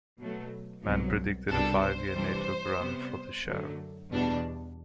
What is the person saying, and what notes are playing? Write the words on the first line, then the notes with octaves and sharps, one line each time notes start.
Mann predicted a five-year network run for the show.
B2 F#3 A3
C2 B2 F#3
C2 B2 G3 D4 A4
C5
C3 E3 G3 D4
C3 G3 B3
F#2 D3 F#3 A3
E2 B2 G3 D4